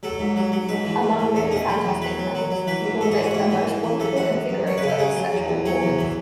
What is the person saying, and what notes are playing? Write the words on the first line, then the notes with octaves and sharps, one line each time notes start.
Among many fantastic claims, he called it a most wonderful invigorator of sexual organs.
F#3 A4
G#2
F#3
F#3
G#2 B4
E3
G#2
E3
E2 A4
B2 G#4
F#3
E2
F#3 B4
F#3
F#3
F#3
E3 B4
G#2
G#2 A4
G#4
E3
F#4
G#2 G#4
E3
E3
E3
F#2 A4
F#2 F#4
F#2
F#2
F#2 C#5
C#3 B4
A4
F#3 G#4
F#3
E2
E2
F#3 C#5
E2
E3